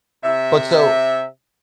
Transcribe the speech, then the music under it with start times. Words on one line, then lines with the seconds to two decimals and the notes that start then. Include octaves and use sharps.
But so
0.24 C3 E5